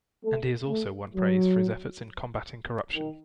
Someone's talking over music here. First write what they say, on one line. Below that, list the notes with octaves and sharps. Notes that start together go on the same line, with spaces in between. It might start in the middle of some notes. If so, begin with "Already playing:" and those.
And he has also won praise for his efforts in combatting corruption.
A3
A3
F#3
D#3